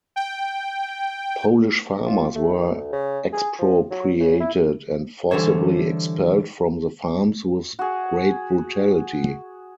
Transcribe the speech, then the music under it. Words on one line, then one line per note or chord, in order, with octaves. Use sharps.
Polish farmers were expropriated and forcibly expelled from the farms with great brutality.
G5
F4
A3
D#3
D2
C#3
G#4
F3
F#3
C#3
E4
D3 E3 G3 A4 C5 C#5
F#4 G#4